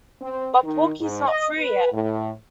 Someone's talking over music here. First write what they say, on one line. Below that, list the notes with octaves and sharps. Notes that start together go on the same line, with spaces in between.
But Porky's not through yet.
C4
D#3
G#2
D#5
B4
A2